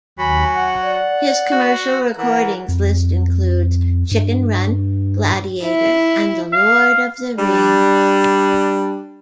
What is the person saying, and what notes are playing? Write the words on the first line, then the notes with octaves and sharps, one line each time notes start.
His commercial recordings list includes "Chicken Run", "Gladiator" and "The Lord of the Rings".
D#2 F#3 G#5 B5
F#5
D5
F#4
E3 A#4 F#5
F2
G2
E4
F5
G3 D4